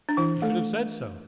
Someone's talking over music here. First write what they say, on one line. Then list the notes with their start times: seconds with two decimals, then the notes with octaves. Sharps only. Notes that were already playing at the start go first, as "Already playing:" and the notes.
You should have said so.
0.09 D4
0.17 E3 E4
0.42 A3 A4